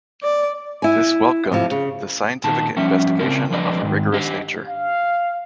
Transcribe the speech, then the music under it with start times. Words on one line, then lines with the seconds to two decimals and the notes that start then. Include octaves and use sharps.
This welcomed the scientific investigation of a rigorous nature.
0.23 D5
0.82 E4 G#5
1.52 A2 C3 F3
1.71 C#3
2.44 A#2 D#3 A5
2.76 F3 G3 C#4 E5
3.19 C#3 C4 E4 A#4
3.50 F3 G3 D4 B4 D5 D#5
3.82 G#2 D#3
4.14 D4 G4 D#5
4.67 F5